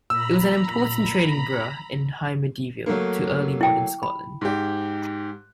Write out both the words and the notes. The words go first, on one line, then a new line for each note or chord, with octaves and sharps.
It was an important trading burgh in High Medieval to early modern Scotland.
A#2 A#5 B5 E6
F#3 A3 A#3
E4 G5
B5
G#2 G4